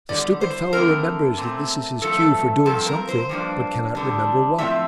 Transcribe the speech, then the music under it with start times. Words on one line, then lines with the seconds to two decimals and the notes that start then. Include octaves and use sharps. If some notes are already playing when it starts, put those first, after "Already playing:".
The stupid fellow remembers that this is his cue for doing something, but cannot remember what.
0.09 E2 D3 G3 D5
0.41 C5
0.73 F2 D3 A3 C4 A#4
1.38 A#2 A3 C4
2.01 G2 F3 A3 C4 A4
2.66 G2 F3 C4 A4
2.86 A#4
3.09 C5
3.29 G2 F3 A#3 D4
3.95 E2 D3 G3 D4
4.58 A2 F3 C4 E5